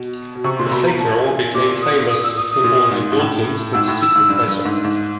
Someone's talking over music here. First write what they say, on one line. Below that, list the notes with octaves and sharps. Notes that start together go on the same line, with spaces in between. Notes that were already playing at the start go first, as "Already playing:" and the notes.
The Flake Girl became famous as a symbol of indulgence and secret pleasure.
Already playing: B2
B2
C3 C#6
A#2 C6
B2 B5
A#5
B2
A#2 A5
G#5
A#2 D6
D#6
D#6
E6
D#6
D#6
A#2
G#2
G#2
A2
G#2 E6
A2
E6
G#2
G2
G2
G#2
G#2